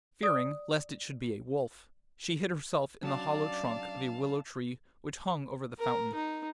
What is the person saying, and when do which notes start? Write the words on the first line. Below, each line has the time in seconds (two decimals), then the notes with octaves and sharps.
Fearing lest it should be a wolf, she hid herself in the hollow trunk of a willow tree which hung over the fountain.
0.23 D5 D#6
3.03 F#3 C#4 D4 D5 F5 A5
5.79 A#4
6.15 D#4